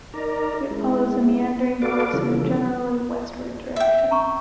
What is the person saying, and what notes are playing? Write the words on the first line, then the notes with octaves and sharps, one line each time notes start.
It follows a meandering course in a generally westward direction.
D#4 A#4 D5 A#5
G#3 E4
F#4 A4 B4 D5 F5 D6
C#3 E3 F3 G3 C#4 A4
E5 G5
A#5 C#6